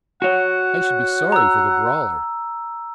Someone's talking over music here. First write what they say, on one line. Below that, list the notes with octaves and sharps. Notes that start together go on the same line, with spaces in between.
"I should be sorry for the brawler."
F#4 C#5 F#5
A#5 E6